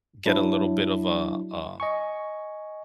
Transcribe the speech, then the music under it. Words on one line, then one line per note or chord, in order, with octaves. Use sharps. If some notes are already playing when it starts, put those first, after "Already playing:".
get a little bit of, uh uh
F#3 D4 E4
D#5 G#5 C#6